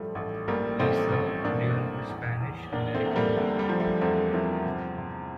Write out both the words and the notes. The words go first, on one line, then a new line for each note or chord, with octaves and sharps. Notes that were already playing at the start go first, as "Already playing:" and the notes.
He served during the Spanish-American War.
Already playing: A1 F3 G3 A3
A1 A3
A1 G3 A#3
A1 A3 C4
A1
A1 A#3 D4
A1
E2
E2
E2 A#3 D4
A3 C4
E2
A3
G3 A#3
D3 A3
G3
F3
A3
E2 A3 C4
F3 C4 E4
C3
C3